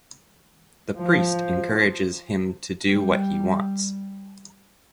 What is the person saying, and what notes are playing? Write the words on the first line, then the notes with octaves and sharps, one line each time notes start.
The priest encourages him to do what he wants.
F3
G3